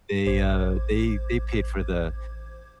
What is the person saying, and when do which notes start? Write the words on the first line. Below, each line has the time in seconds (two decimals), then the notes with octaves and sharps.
they, uh, they they paid for the
0.26 A1 C5 D6 G#6